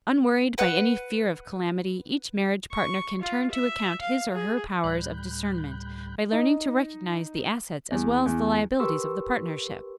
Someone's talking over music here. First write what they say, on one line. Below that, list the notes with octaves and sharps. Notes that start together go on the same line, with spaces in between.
Unworried by any fear of calamity, each marriage partner can turn to account his or her powers of discernment by learning to recognize the assets as well as the liabilities of the partnership.
B4 F#5
C#6
F4
E5
F5
G#4
D2 A2 G3 B5 F#6 G6
D#4
E2
E2
G4 A#4 B4 C6 C#6 E6